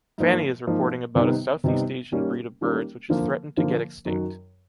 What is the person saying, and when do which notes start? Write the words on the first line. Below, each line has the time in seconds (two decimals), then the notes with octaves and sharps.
Fanny is reporting about a Southeast-Asian breed of birds which is threatened to get extinct.
0.18 G#2 F3 A#3
0.67 G#2 F3 A#3
1.16 C3 D#3 G3 B3 D#4
1.64 C3 D#3 G3 B3 D#4
2.12 D#3 G3 A#3 C#4
2.61 D#3 G3 A#3 C#4
3.10 D3 F3 A#3
3.57 D3 F3 A#3
4.05 F#2 D#3 F#3